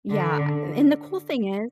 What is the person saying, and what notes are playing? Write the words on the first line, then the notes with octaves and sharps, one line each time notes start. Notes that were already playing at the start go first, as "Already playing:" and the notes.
Yeah, uh a and the cool thing is
D3